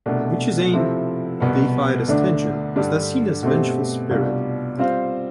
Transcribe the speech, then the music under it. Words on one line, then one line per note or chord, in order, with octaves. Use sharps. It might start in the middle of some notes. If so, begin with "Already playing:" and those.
Michizane, deified as Tenjin, was thus seen as a vengeful spirit.
C2 B2 A3 D4
C3 F3 C4 E4 A4
C2 B2 B3
D2 D3 A3 D4
G2 D3 G3 D4 G4
B2 A3 C4 G4
C2 B2 G3 D4 F4
G3 C4 F4 C5 F5